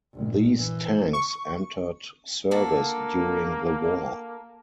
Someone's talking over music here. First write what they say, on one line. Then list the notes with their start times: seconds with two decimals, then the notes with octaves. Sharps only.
These tanks entered service during the war.
0.14 A#1 G2
0.57 E3
1.13 C#6
2.51 A#3 D4 F#4 A4